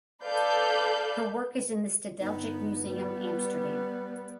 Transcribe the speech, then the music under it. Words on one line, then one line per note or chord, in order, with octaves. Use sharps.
Her work is in the Stedelijk Museum Amsterdam.
A4 B4 D5 F5 G6
G1 B3 D#4
G3 B3 B4